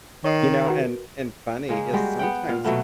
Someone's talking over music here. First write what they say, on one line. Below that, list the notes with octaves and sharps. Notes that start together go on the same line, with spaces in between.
you know, and and funny is sometimes
D#3 C#5 D#5 C7
F#4 A#4 B4
C#3 G#3 A#3
G3 G#3 F#4 G4
B3 F#5 G5
A#2 F5
B2 F#3 A3 B3